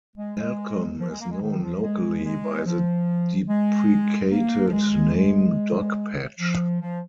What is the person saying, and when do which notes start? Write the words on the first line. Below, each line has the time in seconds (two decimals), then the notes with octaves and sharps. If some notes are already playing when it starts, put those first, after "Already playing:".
Malcolm is known locally by the deprecated name Dogpatch.
0.16 G#3
0.36 G#3
0.99 F3
1.09 G#3
1.19 A#3
1.31 G#3
1.41 D#3
1.62 F3
1.81 G#3
2.23 G#3
2.65 F3
3.47 G#3
4.31 A#3
4.66 F3
4.72 G#3
5.13 G#3
6.39 F3
6.80 F3